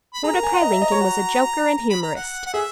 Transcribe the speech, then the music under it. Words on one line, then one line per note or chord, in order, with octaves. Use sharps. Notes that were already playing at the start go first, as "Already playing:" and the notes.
Mordecai Lincoln was a joker and humorist.
B5
G#4 A#5
A#4
G#5
F#5
D#5
E5
D#5
C#5
F#4
A#5
B5
A#5
F#5
F#5
G#4 E5